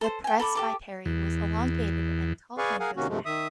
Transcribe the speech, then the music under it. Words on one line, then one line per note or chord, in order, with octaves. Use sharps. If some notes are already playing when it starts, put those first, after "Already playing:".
The presbytery was elongated and tall windows added.
A4 C5
G5 G#5
A4 B5 D6
G4 A4 D6
E2
G#4 B4 D5 F5 G#5 C#6
G#4 A#4 F5 F#5 G#5
C3 D#3 A#3 C#4 F#4
G2 C3 F3 G#3 A3
D#3 E5 D#6